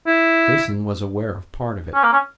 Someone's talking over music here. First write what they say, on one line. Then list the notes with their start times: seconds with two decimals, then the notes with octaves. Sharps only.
Jason was aware of part of it.
0.07 E4
1.94 C#4
2.03 A#3
2.13 C#4